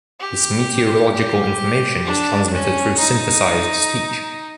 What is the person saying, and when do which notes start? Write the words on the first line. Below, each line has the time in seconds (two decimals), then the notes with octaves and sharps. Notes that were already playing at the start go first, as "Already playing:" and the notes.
The meteorological information is transmitted through synthesized speech.
0.20 G4
1.13 G4
2.05 D4
2.52 C#4
2.99 D#4